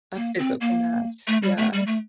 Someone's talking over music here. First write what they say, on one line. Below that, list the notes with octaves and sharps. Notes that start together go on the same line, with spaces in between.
a physical match, yeah.
A#3
C4
A#3
A3
G3
A3
G3
A3